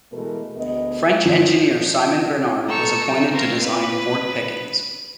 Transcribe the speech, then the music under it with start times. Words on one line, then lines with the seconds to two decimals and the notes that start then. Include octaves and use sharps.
French engineer Simon Bernard was appointed to design Fort Pickens.
0.12 B2 E3 G#3 A3 A#4
0.56 D2 B3 G#4 D#5
1.25 F3
2.69 A4 A#5 C#6 E6 G6
3.30 B3 C4 A#4 F5
3.63 B4